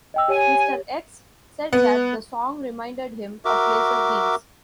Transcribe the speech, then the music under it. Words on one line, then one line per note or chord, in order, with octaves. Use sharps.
Mr. X said that the song reminded him of laser beams.
D#5 G5 E6
G4 C#5 G#5
B3
F#4 A#4 E5 D6